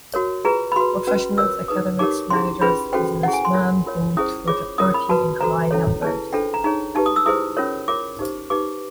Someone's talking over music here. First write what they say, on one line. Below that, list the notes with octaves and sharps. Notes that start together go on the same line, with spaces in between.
Professionals, academics, managers, businessman vote for the party in high numbers.
F#4 A#4 C#5
F4 G#4 B4 A#5
B5
F#4 B4 C6
C#4 F#4 B4
F4 A#4 C#5 E6
D#4 G#4 B4 D#6
D#4 G4 A#4 C#5 D6
C#4 E4 G#4 C6
C#4 F4 G#4 B4 B5
C#4 F#4 A4 C5 G5
C#4 E4 G#4 F#5
G#5
C6
F4 A#4 C#5
F4 A#4 C#5
C#4 E4 G#4 C5 D#6
F4 G#4 C#5 D6
C#4 F4 A#4 C#5 D#6
B5
F#4 B4 A5
F#4 A4 C5 A#5
C#4 E4 A4 C#5
E4 G#4 B4 A5
D4 F4 A4 C5 G5
A#5
D#4 G#4 C#5 A#5
D#4 G4 B4 A5
D#6
E6
E4 G#4 C5 D#6
C#4 F4 A#4 C#5
F4 A#4 C#5 D6
D#4 G4 C5
D#4 G4 B4 D6